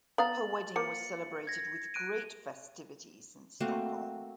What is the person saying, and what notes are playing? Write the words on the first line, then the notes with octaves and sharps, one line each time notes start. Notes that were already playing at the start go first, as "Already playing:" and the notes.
Her wedding was celebrated with great festivities in Stockholm.
B3 F5 A#5 A6 F#7
F3 A#3 C#7
G#6 A#6
F#6 D7 D#7
A3 A#3 C4 F#4